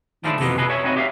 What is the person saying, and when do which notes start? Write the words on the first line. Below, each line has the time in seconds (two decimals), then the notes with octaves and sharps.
They do.
0.24 F3 G#3 A3 D4 E4
0.41 F2 E3 A#3 B3
0.58 G#4 A4 B4 D#5
0.70 C#5 E5 G#5
0.84 C4 D#4 F#4 C#5 D#5
0.97 G4 E5 F5